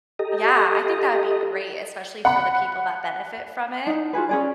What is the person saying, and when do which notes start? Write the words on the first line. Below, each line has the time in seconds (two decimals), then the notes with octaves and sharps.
yeah, I think that would be great, especially for the people that benefit from it,
0.19 G4 A4 D#5 A#5
2.25 F#5 B5
3.87 D#4 F#5
4.13 F4 F#4 G#4 B4
4.29 C#4 G#4 D5